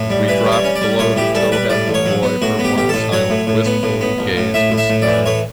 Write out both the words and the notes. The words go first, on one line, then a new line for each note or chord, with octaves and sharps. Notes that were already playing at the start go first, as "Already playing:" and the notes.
As we dropped below the Towhead, the Boy, for once silent, wistfully gazed astern.
Already playing: A2
G3
E3 B4
G3
C#5
C#4
D5
G3
A2 C#5
E3 G4
G3 A4
G3 B4
A2 D5
A1
C#5
F#3
B3
A2 F#4
B3
G4
A1 G4
A2 A4
F#3 C#5
A2
A2
B3
A2
B3
A1
A2
A2 E5
A2
E5
A2
D5
E3
A2 C#5